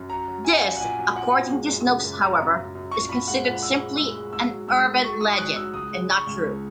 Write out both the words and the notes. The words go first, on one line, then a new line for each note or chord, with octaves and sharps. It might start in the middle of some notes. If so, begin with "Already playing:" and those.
This, according to Snopes however, is considered simply an urban legend, and not true.
Already playing: F#2
F#3 A#5
F#3
F#3 G#5
F#3
F#5
A#2 G#5
F#3
F#3 F#5
A#2
G#3
F#2
C#3
F#2
F#2 A#5
F#2
F#2
F#2
A#2 C#6
A#2 B5
G#3 F#5
A#2 F#5
A#2 E6
G#3
G#3 E6
G#3
G#2 E6
F#3
G#2 E6
F#3
F#3 C#6
G#2 D#6
F#3 F#6
F#3 E6
C#2 D#6
G#3
G#3 C#6
C#2
C#2